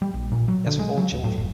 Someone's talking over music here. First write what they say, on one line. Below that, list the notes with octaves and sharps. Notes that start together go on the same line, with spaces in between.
He has four children.
G3
A#1
A#2
F#3
D3
G#3
F#3
D1
A2
F1